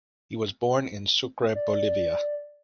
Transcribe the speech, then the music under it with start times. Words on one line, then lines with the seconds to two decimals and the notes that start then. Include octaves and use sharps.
He was born in Sucre, Bolivia.
1.55 D5